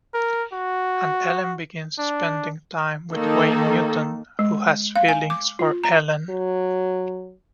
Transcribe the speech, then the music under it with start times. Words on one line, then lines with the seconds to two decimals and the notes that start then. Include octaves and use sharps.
And Ellen begins spending time with Wayne Newton, who has feelings for Ellen.
0.14 A#4
0.53 F#4
1.98 D4
3.13 D#3 A#3 D#4 A4
4.39 G#3
4.96 F5
5.09 G#5
5.30 D6
5.59 F4
5.84 A#5
6.29 F#3